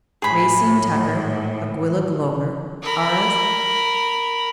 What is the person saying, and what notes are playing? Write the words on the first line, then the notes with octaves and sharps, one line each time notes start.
Racine Tucker, Aguilla Glover, R.S.
A2 G#4 B5
A#4 B5